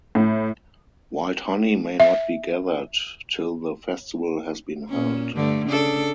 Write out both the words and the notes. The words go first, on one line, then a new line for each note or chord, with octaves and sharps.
Wild honey may not be gathered till the festival has been held.
A2
E5
A#2 C#4
G2 D3 A3
C#3 D4 A4